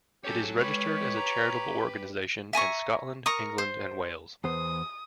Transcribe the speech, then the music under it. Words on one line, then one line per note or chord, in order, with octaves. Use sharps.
It is registered as a charitable organisation in Scotland, England and Wales.
C#4 F#4 G4 A4 C#5
G#3 G4 B4 C#5 B5
A#5
E5 G#5 A#5 C#6
A#4 A#5 C#6 D#6
C5
E2 B3 C5 D#6